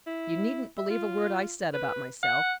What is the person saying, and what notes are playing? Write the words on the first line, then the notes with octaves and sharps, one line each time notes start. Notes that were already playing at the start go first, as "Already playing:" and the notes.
You needn't believe a word I said about myself.
E4
E5
F4
B4
F#5